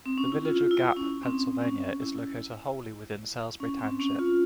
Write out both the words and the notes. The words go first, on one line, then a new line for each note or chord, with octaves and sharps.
The village of Gap, Pennsylvania is located wholly within Salisbury Township.
C4
C#4
E4
F4
E4
C#4
C4
C#4
E4
C#4
C4
C#4
F4